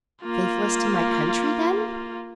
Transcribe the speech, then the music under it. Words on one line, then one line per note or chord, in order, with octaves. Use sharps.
"Faithless to my country then?"
A#3 F4